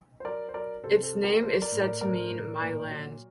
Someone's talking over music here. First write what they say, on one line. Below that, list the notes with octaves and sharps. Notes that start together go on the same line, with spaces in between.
Its name is said to mean my land.
C5
F#3 A#4 D5
C5
F#3 A#4 D5
C3 A4 C5
A4 C5
F#3
G4 A#4
F#3 A4 C5
A#4 D5
A2
A#4 D5
A2 A#4 D5
A2
A#2
F#3